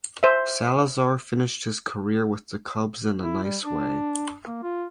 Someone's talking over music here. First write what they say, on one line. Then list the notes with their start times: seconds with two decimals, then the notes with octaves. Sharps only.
Salazar finished his career with the Cubs in a nice way.
0.23 C5 E5
3.21 E4
3.44 G3
3.63 D4
4.47 A#3
4.63 F4